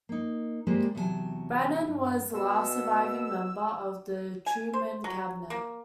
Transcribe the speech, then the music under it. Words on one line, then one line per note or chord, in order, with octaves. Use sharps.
Brannan was the last surviving member of the Truman Cabinet.
A#3 D#4
G3 G#3 A#3 G4 C5
E2 C3 F#3 A4 G#5 A5
G2
B2 E6
G#5
C5
F#3
A#3